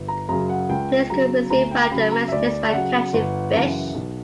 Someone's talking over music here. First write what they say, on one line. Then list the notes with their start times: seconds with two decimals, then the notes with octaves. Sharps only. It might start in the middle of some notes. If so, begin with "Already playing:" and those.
Players could receive random messages by catching fish.
Already playing: G1
0.08 A#5
0.29 F#2 C#3 F#3 A#5
0.49 F#5
0.69 C#2 G5
1.10 C#3 F#3 A#5
1.50 D2 A#5
1.71 G5
1.91 C#3 F#3 B5
2.11 A#5
2.28 E5
2.32 D2 D5
2.63 E5
2.73 C#3 F#3 F#5
3.13 G1
3.54 F#2 C#3 E3
3.94 B1